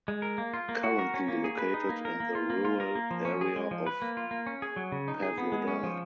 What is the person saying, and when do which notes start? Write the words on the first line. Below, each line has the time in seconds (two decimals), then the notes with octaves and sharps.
Currently located in the rural area of Pavlodar.
0.08 G#3
0.22 A#4
0.38 A#3
0.54 F4
0.69 A#3
0.83 F#4
0.99 A#4
1.14 C#4
1.28 A#3
1.44 G#4
1.58 B4
1.74 D#4
1.89 A#3
2.05 A#4
2.20 A#3
2.35 F4
2.50 A#3
2.65 F4
2.80 A#4
2.95 A#3
3.11 F3
3.25 C#4
3.41 G#4
3.56 G#3
3.71 F3
3.86 B4
4.02 A#3
4.17 F4
4.31 A#3
4.47 C#4
4.62 G#4
4.76 F#3
4.92 C#3
5.08 D#4
5.22 G#4
5.38 B3
5.52 G#3
5.68 C#4
5.83 F3